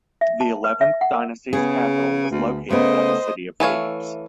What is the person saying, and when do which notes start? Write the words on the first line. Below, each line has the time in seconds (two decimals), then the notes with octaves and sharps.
The Eleventh Dynasty's capital was located at the city of Thebes.
0.21 E5
0.41 A5
0.64 B4
0.81 E5
1.01 F#5
1.14 A#4
1.53 C#3 B3 G#4
2.31 D2
2.71 C#3 A3 B3 C5 D#5
3.60 E3 A3 C#5 F5